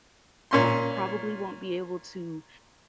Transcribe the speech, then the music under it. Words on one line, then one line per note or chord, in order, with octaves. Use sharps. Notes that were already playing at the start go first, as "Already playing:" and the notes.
probably won't be able to
A#2 C#4 C6